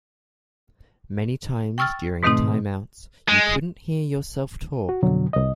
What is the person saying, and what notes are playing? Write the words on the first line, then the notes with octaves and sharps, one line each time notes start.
Many times during timeouts you couldn't hear yourself talk.
G5 C#6 E6 F6 A6
G#2 B2 D#3 A3 C4 D#4
G#3
F#4
F2 B2 D3 F#3
C2 D#5